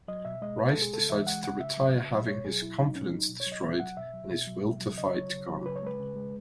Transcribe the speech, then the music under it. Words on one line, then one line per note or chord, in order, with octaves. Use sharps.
Reiss decides to retire having his confidence destroyed and his will to fight gone.
F#3 D#5
B2 E5
G#3 D#5
B2 B4
A4
G#3
G#4
C#3 A4
E3 E5
G#3 F#5
C#3 F#5
C#3 E5
F#3
C#3
F#3
B2 C#5
F#3 G#4
B2 E4
F#3 D#4
B2 C#4
F#3 D#4
B2
C#5
F#3
D#5
B2 E5
F#3 F#5
B2 E5
F#3
B2
F#3
B2
F#3
C#3 D#5
F#3 C#5
C#3
F#3
C#3 B4
C#5
G#3 B4
C#3
G#3